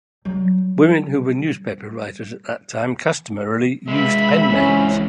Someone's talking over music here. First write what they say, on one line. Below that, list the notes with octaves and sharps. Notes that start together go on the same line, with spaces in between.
Women who were newspaper writers at that time customarily used pen names.
F#3 G3
G#3 B4 E5 B5
C#2 E3 C4 C#4